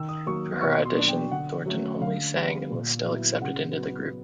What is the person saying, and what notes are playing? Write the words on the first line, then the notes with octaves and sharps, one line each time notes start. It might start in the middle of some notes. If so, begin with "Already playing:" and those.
For her audition, Thornton only sang and was still accepted into the group.
Already playing: D#3 E6
D#6
F#3 A#3 C#6
B2 C#6
C6
F#3 A#3 D4
G5
D3 F#5
F#3 A3 C#4
D3 F5
G3 B3
A#2
F#3 B3 E4
C#3 F#5
F#3 B3